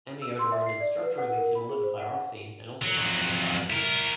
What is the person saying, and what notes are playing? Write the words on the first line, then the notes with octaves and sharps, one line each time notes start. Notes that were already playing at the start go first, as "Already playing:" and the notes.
Amiodarone is structurally similar to thyroxine and also contains iodine.
E6
C6
E5
C7
D5
B4
F#5
A#4
B5
G#4
C5
F#5
F#3
F2 F#3
E4 A#4